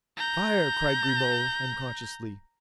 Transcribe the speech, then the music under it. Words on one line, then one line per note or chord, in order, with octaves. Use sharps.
"Fire!" cried Grimaud, unconsciously.
A#5 G6